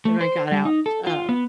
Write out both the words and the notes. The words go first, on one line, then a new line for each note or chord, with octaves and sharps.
Then I got out, uh,
A3
C5
G3
D#4
A4
F4
B3